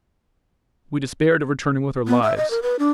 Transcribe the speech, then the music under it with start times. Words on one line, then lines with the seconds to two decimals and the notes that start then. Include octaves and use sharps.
We despaired of returning with our lives....
2.07 B3
2.23 E5
2.37 D#5
2.51 A#4
2.62 B4
2.79 D4